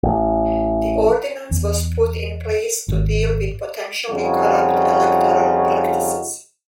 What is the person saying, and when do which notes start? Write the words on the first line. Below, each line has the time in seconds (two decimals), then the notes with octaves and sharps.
The ordinance was put in place to deal with potentially corrupt electoral practices.
0.03 A1
1.51 E2
2.88 G#1
4.10 F2 C#3 G3 D#4 F4 F#4